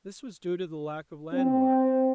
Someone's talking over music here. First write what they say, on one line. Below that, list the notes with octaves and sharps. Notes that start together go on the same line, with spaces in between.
This was due to the lack of landmarks.
C4